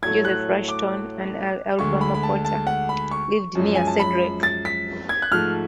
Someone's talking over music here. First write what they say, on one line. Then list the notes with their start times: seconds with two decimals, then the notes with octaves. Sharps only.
Joseph Rushton, an early Alabama potter, lived near Cedric.
0.02 A2 F#3 A3 G#6
0.25 F#6
0.68 D6
1.79 D2 D3 G#3 C#6
2.01 B5
2.14 B5
2.23 A5
2.45 A5
2.67 F#5
2.89 B5
3.11 C#6
3.55 F#2 F3 G#3
3.75 G#5
3.87 A5
4.00 B5
4.43 A6
4.65 B6
5.09 G#6
5.22 F#6
5.31 G#2 F3 A3 F6